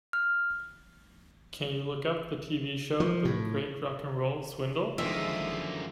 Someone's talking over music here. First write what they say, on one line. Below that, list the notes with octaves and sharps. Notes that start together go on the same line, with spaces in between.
Can you look up the TV show, The Great Rock 'n' Roll Swindle?
F6
F3
A2
F#2 D3 D#3 F3 G#3 A#3 E5 D#6